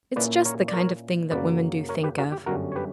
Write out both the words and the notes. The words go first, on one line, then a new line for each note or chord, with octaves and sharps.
"It's just the kind of thing that women do think of."
A#2 A#3 C#4 E4 B4 D5
A#4 C#5
D5
A#4 C#5
F#2 C#3 F#3 A#3 B4 D5
A#4 C#5
G4 B4
F#4 A#4
G4
G1 F#2 D3 G3 C#4 F#4 A#4
C#5
G4 B4